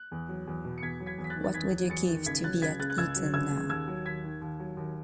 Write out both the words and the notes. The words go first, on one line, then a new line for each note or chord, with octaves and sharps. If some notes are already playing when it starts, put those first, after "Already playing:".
What would you give to be at Eton now?
Already playing: F#6
E2
F#3
E2
B2
C#7
E2 G#6 B6
F#3
G#6 B6
E2
B6
F#6 A6
D#3
A6
E2 G#6 B6
F#3
E2 A6 C#7
D#3
C#2 G#6 B6
F#3 F#6 A6
C#2 G#6 B6
C#3 F#6 A6
F#6
C#2 E6 G#6
F#3
C#2 E6 G#6
C#3
D#2 E6 G#6
F#3
D#2 G#6 B6
D#3
D#2
F#3
D#2